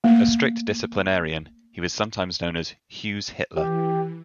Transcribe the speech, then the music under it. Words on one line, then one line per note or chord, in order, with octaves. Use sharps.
A strict disciplinarian, he was sometimes known as 'Hughes-Hitler'.
A3 A#3
E3 G4